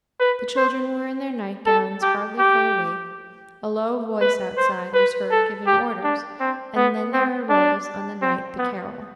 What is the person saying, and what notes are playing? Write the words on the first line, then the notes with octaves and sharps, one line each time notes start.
The children were in their nightgowns, hardly fully awake; a low voice outside was heard giving orders; and then there arose on the night the carol.
B4
C5
A4
G4
G4
B4
C5
B4
A4
G4
D4
C4
B3
C4
D4
C4
B3